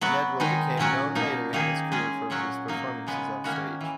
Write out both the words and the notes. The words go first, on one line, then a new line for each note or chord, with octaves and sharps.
Nedwell became known later in his career for his performances on stage.
F#3 B3 F#4
D#3 G#3 D#4
A#2 F#3 C#4 F#4
B2 A#3 D#4
D#3 A#3 D#4 G#4
G#3 C#4 G#4
A#2 F#3 C#4 F#4
F#3 A#3 D#4
C#3 G#3 B3
D#3 A#3 C#4 F#4
E3